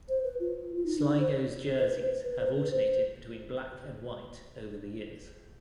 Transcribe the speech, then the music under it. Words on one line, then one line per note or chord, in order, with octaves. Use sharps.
Sligo's jerseys have alternated between black and white over the years.
C5
B4
F4
F4
D#4
D4
D4
C5
C5
B4
C5
B4
C5
B4
C5